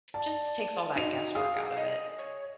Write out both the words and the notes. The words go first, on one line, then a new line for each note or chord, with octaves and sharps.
Just takes all that guesswork out of it.
D5 A5
D#4 F#4 F7
G#4 F5 D#6
D#5
C#5